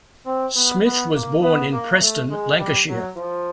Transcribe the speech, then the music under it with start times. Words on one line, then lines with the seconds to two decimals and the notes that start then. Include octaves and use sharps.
Smith was born in Preston, Lancashire.
0.25 C4
0.55 B3
0.84 B3
1.13 A#3
1.42 B3
1.72 A#3
2.00 A3
2.29 G#3
2.58 G3
2.88 F#3
3.16 F3